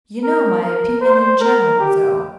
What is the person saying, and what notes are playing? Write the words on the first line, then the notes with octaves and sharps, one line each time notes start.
You know my opinions in general, though.
A#4
A#4
C5
A#4
G4